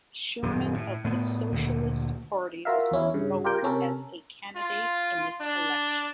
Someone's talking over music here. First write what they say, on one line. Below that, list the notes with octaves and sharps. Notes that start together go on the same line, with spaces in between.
Sherman of the Socialist Party was put forward as a candidate in this election.
D#1 F#2
A2
A2 B3
D2 A#2 D3
F4 F#4 A#4 E5 F5
E2 C#4 E4
G2 C#3
F4 G4 A#4 G5
C3 C#4 A4 A#4
F4
D4